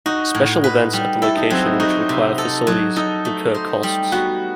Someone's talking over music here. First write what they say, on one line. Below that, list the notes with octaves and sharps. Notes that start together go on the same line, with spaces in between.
Special events at the location which require facilities incur costs.
D#4 F#4
A2
B4
G3
E4 A4
D#4
F#3 C4
D#4
D#4 F#4
C3
A4
F#3
D#4 A4
A3
C5
G3
B3 F#4